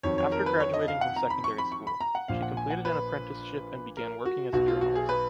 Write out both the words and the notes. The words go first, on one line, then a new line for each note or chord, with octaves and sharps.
After graduating from secondary school, she completed an apprenticeship and began working as a journalist.
F2 D#3 F#3 C#5
C#5
A#4
B4
C#5
D#5
F5
F#5
A#5
B5
C#6
B5
C#6
B5
A#5
F#5
A#1 A#2 F3 F5
F#5
G#5
F#5
B4
A#4
F#4
B1 B2 F#3 F#4
F4
F#4
G#4
B4